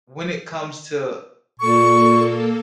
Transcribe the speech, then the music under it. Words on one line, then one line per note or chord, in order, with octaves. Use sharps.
when it comes to
A#2 A#3 A4 C#6